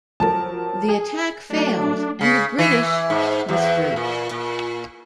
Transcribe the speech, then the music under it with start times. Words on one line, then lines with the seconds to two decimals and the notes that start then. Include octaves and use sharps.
The attack failed and the British withdrew.
0.20 F3 F#3 A#4 A5
0.88 G#4
1.50 F#3 A3 D4
2.21 C#3
2.59 E3
3.10 G#2
3.49 E2
3.96 A#2
4.31 A#2